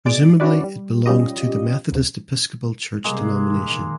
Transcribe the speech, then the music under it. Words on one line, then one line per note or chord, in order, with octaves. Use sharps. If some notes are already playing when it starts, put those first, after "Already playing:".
Presumably it belongs to the Methodist Episcopal Church denomination.
B2 G#3 D5 A6 D7
C#4 D4 E4 F#4 B4 D5
G3
G3 C#4 F4 G4 D#5
D2 C3
C3 G3 G#3 A#3
A#2 D#3